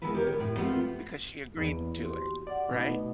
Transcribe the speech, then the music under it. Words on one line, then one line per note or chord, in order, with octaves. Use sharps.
because she agreed to it, right?
D3 D#3 G#3 B3 E4 B4
G4 A#4 C#5
D3
A2
G3 A3 B3 C4 F4
E2 A#3 B3
F#4 G4 C6
D5 F#5 D6
B2 A3 B3 D#4 D#5